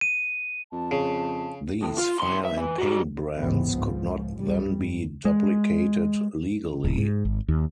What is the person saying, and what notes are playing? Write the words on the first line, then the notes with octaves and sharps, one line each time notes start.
These fire and paint brands could not then be duplicated legally.
D#7
F2 A5
C#3
A2
F4
C2 C6
E5
E3
G3 F#4
A1 D#2 G#2 E3 B3 C4
C#2 G#2 F3
C2 G3
G1
G#3
D1
G#2
G#1
D#2